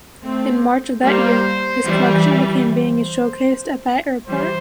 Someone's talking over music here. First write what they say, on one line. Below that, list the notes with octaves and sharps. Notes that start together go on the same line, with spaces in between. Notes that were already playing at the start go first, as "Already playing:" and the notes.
In March of that year, his collection began being showcased at that airport.
A3 C4 C5
G3 A#3 C5
E3 G3
C5
E3 G3 C5